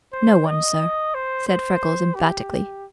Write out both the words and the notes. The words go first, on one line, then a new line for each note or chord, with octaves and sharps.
"No one, sir," said Freckles emphatically.
C5
D#5
C5
C5
G4